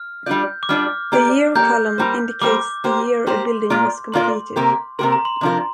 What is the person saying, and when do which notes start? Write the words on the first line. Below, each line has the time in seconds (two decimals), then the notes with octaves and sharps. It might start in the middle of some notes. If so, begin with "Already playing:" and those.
The "Year" column indicates the year a building was completed.
Already playing: F6
0.26 G3 D4 F4 D5 G6
0.63 D6
0.69 G3 D4 F4 D5 F6
1.12 A#3 G4 D5
1.55 A#3 G4 D5 G6
1.98 G3 A#3 G4 C5
2.41 G3 A#3 G4 C5 D6
2.84 A#3 G4 C5
3.27 A#3 G4 C5 C6
3.70 A#2 A#3 F4 D5
4.12 A#2 A#3 F4 D5 C6
4.56 C3 A#3 G4 A#4
4.99 C3 A#3 G4 A#4 C6
5.12 A#5
5.25 C6
5.41 C3 F3 D4 F4 A#4